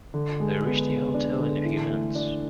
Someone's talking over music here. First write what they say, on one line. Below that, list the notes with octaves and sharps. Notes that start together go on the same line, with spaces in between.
They reached the hotel in a few minutes.
D3
G#3
B3
B3
D4
D3
E3
A3
D4